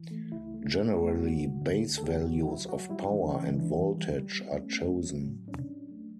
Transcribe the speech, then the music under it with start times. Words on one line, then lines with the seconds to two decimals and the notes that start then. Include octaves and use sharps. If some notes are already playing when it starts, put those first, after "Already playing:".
Generally base values of power and voltage are chosen.
Already playing: E3
0.11 A3
0.32 C#2 E4
0.54 A3
0.76 A3
0.97 A3
1.18 D2 F#4
1.40 D3
1.61 D2
1.83 D2
1.98 A4
2.04 D2 G4
2.25 D2 F#4
2.47 F#3 E4
2.69 F#3 F#4
2.89 G3 E4
3.11 E3 D4
3.33 E3 C#4
3.54 E3 D4
3.76 G3
3.98 G3
4.19 G3
4.40 B3
4.62 A3 C#4
4.83 C#4
5.05 F#3
5.26 A2
5.48 C#4 D4
5.69 F#3
5.91 A3